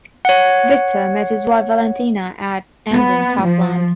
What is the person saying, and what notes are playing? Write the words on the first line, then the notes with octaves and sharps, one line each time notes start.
Viktor met his wife Valentina at Angren Power Plant.
C#5 F#5
B3
F3